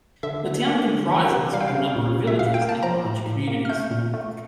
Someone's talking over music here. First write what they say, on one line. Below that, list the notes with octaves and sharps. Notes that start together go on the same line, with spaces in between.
The town comprises a number of villages and larger communities.
D3 E5
D3
A#3
D3
E3
C3
G3 F5
G5
F5
C3
A#2
A#2
E5
A#2 F5
G5
A#3
A5
F3 A#5
A2
A2
A#3
F6
A3 G6
A#2
A3